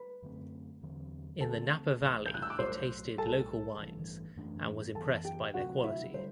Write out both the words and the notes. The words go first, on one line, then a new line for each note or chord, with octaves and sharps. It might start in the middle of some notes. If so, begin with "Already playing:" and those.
In the Napa Valley he tasted local wines and was impressed by their quality.
Already playing: B4 B5
F#2 D3 A3 C4
E2 D3 F#3 C4
D2 D3 G3 C4 A4 A5
B1 A2 E3
G6
F#6
E6
D6
B1 A2 F#3 C5 C6
B1 A2 G3 A4 A5
A1 G2 E3
F#2 E3 A3 D4
F#2 E3 B3 A4 A5
G4 G5
D2 C3 F#3 C4 F#4 F#5
E4 E5
D3 G3 C5